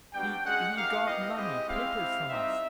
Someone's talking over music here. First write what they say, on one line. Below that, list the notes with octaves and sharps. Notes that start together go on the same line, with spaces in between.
He--he got money--papers--from us.
G3 B3 D4 F#4 G5
G#3 C#4 F#4 F#5
A#3 D#4 G4 F5
B3 E4 G4 D#5
G#3 C4 E4 G4 D#5
G#3 C4 E4 G4 F5
C4 E4 G4
G3 C4 D#4 E5